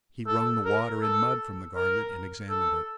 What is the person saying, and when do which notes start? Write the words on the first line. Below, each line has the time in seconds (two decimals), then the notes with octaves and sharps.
He wrung the water and mud from the garment and examined it.
0.28 A4
0.65 A#4
1.02 A4
1.76 A#4
2.50 A4